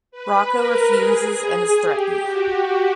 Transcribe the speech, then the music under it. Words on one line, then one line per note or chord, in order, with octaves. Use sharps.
Rocco refuses and is threatened.
B4
A#4
G#4
G#4
G4
F#4